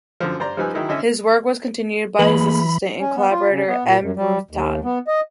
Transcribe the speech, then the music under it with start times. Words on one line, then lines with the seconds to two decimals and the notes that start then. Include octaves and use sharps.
His work was continued by his assistant and collaborator, M. Ruth Todd.
0.20 F#2 D3 F3
0.39 G2 C5 D5 A#5
0.57 F3 G3 D#4 B4 G#5 E6
0.74 D#3 F#3 D#4 E4 G#4 A#4
0.89 D3 C#4 D#5 E5 G#5 E6
2.19 E3 A3 A#3 G#4 B5
3.00 C#4
3.16 B3
3.31 F4
3.50 C#3
3.68 B3
3.85 A#2
4.00 F#2
4.17 G3
4.51 D#2
4.84 B3
5.07 D#5